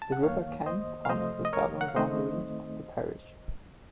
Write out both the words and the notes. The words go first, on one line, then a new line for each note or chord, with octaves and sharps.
The River Cam forms the southern boundary of the parish.
A5
F#5
F#2 D#3 A#3 C#5 F5
C5 D#5
F5
C3 F3 A3 C5 D#5
D#5
A#4 C#5
F#5
F5
D#3 A3 C4 D#4 C5 D#5